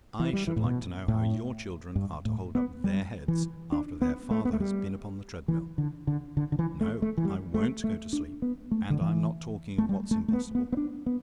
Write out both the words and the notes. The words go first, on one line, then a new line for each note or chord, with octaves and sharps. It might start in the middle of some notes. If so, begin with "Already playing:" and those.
I should like to know how your children are to hold up their heads, after their father has been upon the treadmill?--No; I WON'T go to sleep. And I'm not talking of what's impossible.
E3
G3
E3
A2
B2
A2
G2
A2
B3
G3
E3
D4
B3
A3
B3
A3
G3
E3
D3
D3
D3
D3
E3
A3
A3
E3
G3
A3
A3
D4
B3
A3
D3
E3
A3
G3
A3
A3
B3
B3
B3
D4
B3